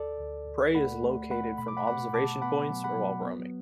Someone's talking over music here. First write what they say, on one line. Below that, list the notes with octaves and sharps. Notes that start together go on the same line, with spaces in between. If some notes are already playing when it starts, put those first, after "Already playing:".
Prey is located from observation points or while roaming.
Already playing: D2 A4 D5
D2
D2
A3 F#5 B5
A3
A3 F#5 B5
B2 B5
D6
F#5 B5
B2 F#5 B5
B2 A5 D6
B3 F#5 B5
F#3
F#5 B5
F#3
B3